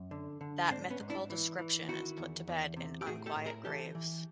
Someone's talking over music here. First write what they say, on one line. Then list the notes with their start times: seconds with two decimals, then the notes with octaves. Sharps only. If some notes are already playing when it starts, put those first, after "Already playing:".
That mythical description is put to bed in "Unquiet Graves".
Already playing: F#2
0.11 D3
0.41 D3
0.70 G#2 C4 D4
0.90 B3 C#4
1.00 G#2
1.10 D4 E4
1.30 E3
1.58 E3
1.88 D#3 E4 F#4
2.17 E2
2.48 E2
2.77 C3
3.01 G4
3.06 A2 F#4 G#4
3.26 G4 A4
3.36 A2
3.45 G#4 A#4
3.65 E3 G4 A4
3.95 E3